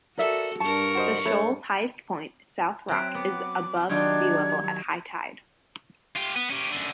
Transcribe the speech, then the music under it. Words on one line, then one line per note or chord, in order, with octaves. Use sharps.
The shoal's highest point, "South Rock", is above sea-level at high tide.
F#4 A4 A#4 D5 E5
G2 D4 A#4 A5 C#6
F#4 C5 D#5
A3 C#5 B5
F#3 C4 E5
B3 D6
D#3 F#3 G3 D4 D#4 F4 G#6
F#3
F4 G4
B3
C#4 G4
F#2 D3